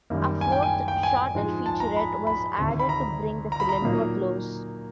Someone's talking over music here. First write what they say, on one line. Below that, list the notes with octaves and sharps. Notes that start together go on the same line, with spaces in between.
A fourth, shorter featurette was added to bring the film to a close.
F#2 D#3 G3 A#3
G#5
G5
G#5
G5
G#5
G#2 F3 G#3
A5
A#5
B5
B5
D2 C3 D#3
B5
A#5
A#5
B5
A#5
A#2 F#3 A#3 D#4